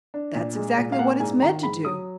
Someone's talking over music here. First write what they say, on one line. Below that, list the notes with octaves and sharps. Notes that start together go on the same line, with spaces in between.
"That's exactly what it's meant to do."
D4
A#2
G#3
A#2
F5
A#3 F#5
G#2 G#5
D#3 A#5
G#2 B5
F#3 D#6